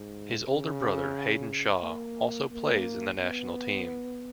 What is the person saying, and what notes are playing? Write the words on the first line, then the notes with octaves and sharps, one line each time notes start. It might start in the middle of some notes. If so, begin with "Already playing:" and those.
His older brother Hayden Shaw also plays in the national team.
Already playing: G#2
C#3
A#3
A#3
B3